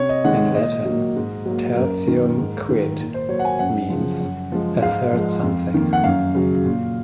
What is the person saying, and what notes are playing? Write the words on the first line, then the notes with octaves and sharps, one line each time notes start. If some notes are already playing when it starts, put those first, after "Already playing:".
In Latin, "tertium quid" means "a third something".
Already playing: C3 C#5
D#5
D#3 G#3 F#5
A#2 D#5
F#3 A#3
G#2
F#3 A#3
F#2 A#4
D#3 A#3
G#2
D#3 G#3
A#2
C5
F#3 A#3 C#5
F#5
G#5
F#2 F#5
C#3 F3
F#2
F3 G#3
G#2 F5
F3 G#3
F2
D#3 A#3
F#5
F#2 F5
C#3 F#3
A#2